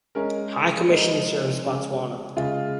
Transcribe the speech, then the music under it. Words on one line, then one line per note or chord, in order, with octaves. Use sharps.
High Commission serves Botswana.
G#3 C#4 A#4
F3 G#3 D#4 A#4
C#3 G#3 C#4
C#3 G#3 F4 G#4